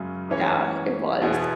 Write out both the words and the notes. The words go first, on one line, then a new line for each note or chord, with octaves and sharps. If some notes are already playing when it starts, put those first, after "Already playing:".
Yeah, it was.
Already playing: F#2 C#3 G#3
G#2 E3 C#4 G#4 C#5
E2 B2 B3 E4 G#4